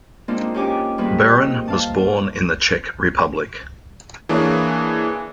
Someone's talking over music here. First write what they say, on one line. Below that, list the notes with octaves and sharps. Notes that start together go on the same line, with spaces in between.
Beran was born in the Czech Republic.
G#3 A#3 C4 D4 D#4 F4
C#4 D#4 G4 C#5 G#5 D6
D#3 G3 A#3 C4 G#4 B4
D#4
F5 A5
E3 A#3 D4 G#4 C#5